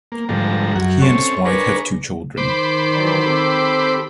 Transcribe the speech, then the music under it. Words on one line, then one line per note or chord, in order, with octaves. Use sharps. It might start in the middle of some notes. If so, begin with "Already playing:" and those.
He and his wife have two children.
A#3
G#2 D3 F3 G3 A4 A#5
F#2 F#3 F#5
C4 C#4 A4 C#5
D4 G#4 A#4 B4 C#5
D#3 C5 B5 D6
E3 F#3 D5
C4 G4 A4